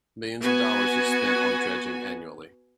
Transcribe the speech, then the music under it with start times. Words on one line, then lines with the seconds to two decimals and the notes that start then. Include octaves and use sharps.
Millions of dollars is spent on dredging annually.
0.39 B3 F#4 G#5